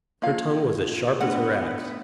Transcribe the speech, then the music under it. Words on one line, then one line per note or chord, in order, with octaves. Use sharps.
Her tongue was as sharp as her axe.
F3 A#3 F4 A4 F5 G#6
A3 B3 D4 F#5